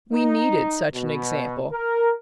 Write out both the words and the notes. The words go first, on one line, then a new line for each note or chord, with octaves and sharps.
We needed such an example.
D#4
B2
A#4